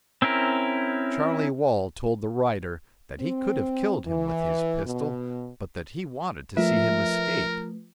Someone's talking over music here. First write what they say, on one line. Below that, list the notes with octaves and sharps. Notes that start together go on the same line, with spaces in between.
Charlie Wall told the writer that he could have killed him with his pistol, but that he wanted to see him escape.
C4 C#4 E4 A#4
C4
E3
B2
F3 A3 A#4 B4 E5